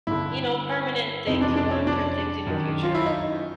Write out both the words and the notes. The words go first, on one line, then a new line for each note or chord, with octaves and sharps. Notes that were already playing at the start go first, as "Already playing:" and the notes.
you know, permanent things or long-term things in your future.
G2 D3 E4
F2 C3 E3 D#4
D4
D4
C#4
D4
F#2 D#3
F4
E4
D#4